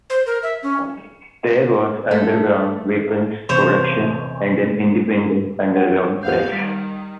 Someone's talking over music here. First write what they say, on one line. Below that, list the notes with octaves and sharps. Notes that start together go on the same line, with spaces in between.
There was underground weapons production and an independent underground press.
C5
A#4
E5
C#4
A3
E2 C3 C5 C#5
C#5 F#5 G5
G#1 D#2 B3 G4 F5 F#5 G6
D#3 G3 B6